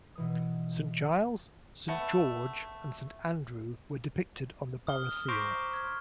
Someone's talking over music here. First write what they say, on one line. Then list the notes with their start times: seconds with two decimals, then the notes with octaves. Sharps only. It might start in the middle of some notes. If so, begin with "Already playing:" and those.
Saint Giles, Saint George and Saint Andrew were depicted on the borough seal.
0.15 B2 E3 D#6
1.88 A3 B3
4.87 D#6 F6 G7
5.28 C5 A#5 C#6 D6 G6 B6
5.74 F6 G#6